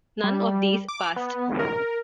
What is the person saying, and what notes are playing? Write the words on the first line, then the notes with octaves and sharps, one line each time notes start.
None of these passed.
G3
D6
B3
A#4